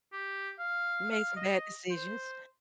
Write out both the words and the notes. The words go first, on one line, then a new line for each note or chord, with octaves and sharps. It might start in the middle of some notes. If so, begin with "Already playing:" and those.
Made some bad decisions.
G4
F5
F5
D#5
C5